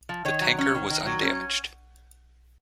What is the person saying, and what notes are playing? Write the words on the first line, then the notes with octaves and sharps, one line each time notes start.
The tanker was undamaged.
F3
D#3 C#5
F#3
C#4
D#3
D#3
F#3
C#4